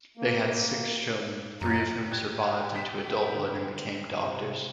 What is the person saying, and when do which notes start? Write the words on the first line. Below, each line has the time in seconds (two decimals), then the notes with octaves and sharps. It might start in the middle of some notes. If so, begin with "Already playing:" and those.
They had six children, three of whom survived into adulthood and became doctors.
0.17 A#3
1.61 F#2 A#5
2.11 G4 G5 F#6 G#6
2.76 B6
3.34 D3
4.23 C3